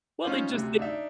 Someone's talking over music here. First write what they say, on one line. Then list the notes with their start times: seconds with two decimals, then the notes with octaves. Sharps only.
Well, they just they
0.24 C#4 D#4 F4 C5
0.50 D2 C3
0.79 D4 D#4 D5 E5